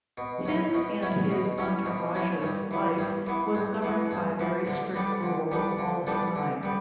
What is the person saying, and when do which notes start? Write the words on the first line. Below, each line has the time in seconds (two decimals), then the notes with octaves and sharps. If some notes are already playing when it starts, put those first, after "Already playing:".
His and his entourage's life was governed by very strict rules all the time.
0.18 B2
0.46 F#3 C#4 E4
0.74 B2
1.03 F#3 C#4 E4
1.31 B2
1.58 F#3 C#4 E4
1.86 B2
2.14 F#3 C#4 E4
2.43 G2
2.71 E3 B3 E4
2.98 G2
3.27 E3 B3 E4
3.55 G2
3.82 E3 B3 E4
4.11 G2
4.39 E3 B3 E4
4.67 D3
4.95 G3 B3 D4 A4
5.23 D3
5.52 G3 B3 D4 A4
5.79 D3
6.07 G3 B3 D4 A4
6.36 D3
6.63 G3 B3